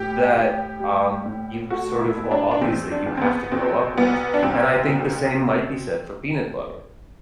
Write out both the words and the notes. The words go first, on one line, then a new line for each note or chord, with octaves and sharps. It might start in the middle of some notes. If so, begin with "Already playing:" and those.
that, um, you sort of well, obviously, you have to grow up with, and I think the same might be said for peanut butter
Already playing: A2 G4
A2
G3
A2
A3 F#4
E4
B2
D4
D4
E2 C4
D4
E2
C4
B3
B2 C4
C2 B3
D4
C2 C4
B2